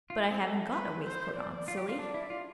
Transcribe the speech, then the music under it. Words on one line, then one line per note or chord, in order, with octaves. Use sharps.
"But I haven't got a waistcoat on, silly."
F4
E4
C4
E4 A4
B4
C5
D5
F4
G4
F4
D4 D5
E4
F4